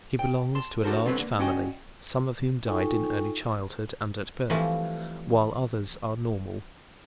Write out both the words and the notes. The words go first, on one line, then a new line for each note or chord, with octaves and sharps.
He belongs to a large family, some of whom died in early childhood and at birth, while others are normal.
G5
A5 C6
D4 F#4 A4 A#4 C5
C2 D3 C4 B4 C#5
A#3
C#4 F#4 D5 D#5 G5
D#4 F4 A4 G5 G#5 C#6
E3 F3 G3 A3 C4